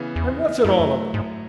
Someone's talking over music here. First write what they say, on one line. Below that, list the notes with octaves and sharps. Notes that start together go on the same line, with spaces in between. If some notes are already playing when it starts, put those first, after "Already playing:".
"And what's it all about?"
Already playing: C#3 E3 B3
E2
F#2 F#3 A3 E4
G#2